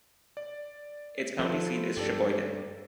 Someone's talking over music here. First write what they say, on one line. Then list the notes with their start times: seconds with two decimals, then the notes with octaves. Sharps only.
Its county seat is Sheboygan.
0.37 D5
1.39 F3 A4 B4 C5
1.97 G2 G4 A4 D5